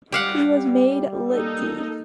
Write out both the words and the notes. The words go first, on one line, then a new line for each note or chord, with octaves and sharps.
He was made Litt.D.
G3 G4 F5 F#5
A#3 D#4 A4